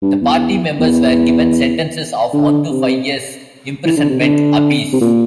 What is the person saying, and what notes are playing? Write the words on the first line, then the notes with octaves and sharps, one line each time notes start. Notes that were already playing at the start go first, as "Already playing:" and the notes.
The party members were given sentences of one to five years' imprisonment apiece.
G2
E2
E2
D3
C3
E3
D3
C3
D3
C3
A#2